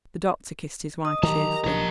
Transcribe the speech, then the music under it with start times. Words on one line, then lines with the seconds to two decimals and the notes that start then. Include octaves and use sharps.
The doctor kissed his wife cheerfully.
1.05 D#5 D#6
1.23 D#3 F#3 G4 A#4 A5 A#5
1.39 D#5
1.64 B1 A#2 F3 D4 A#5